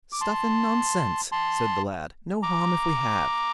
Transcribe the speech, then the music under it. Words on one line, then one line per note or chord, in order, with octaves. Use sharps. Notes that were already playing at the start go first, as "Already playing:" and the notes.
'Stuff and nonsense!' said the lad; 'no harm if we have.'
D6
A5 C6
A5 C6
A#5 D6